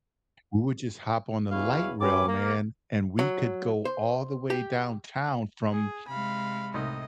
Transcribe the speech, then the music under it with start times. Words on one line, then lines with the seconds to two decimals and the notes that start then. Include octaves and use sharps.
we would just hop on the Light Rail, man, and we could go all the way downtown from
1.52 E2 B2 E3 B4 C#5 F5
2.01 F#2 C#4 G4 B4 D6
2.28 A#3
3.19 F#3
3.85 C5
4.50 G4
5.72 G#4
6.08 C3 G#3 F5 B5
6.74 C2 A2 D#4 D#5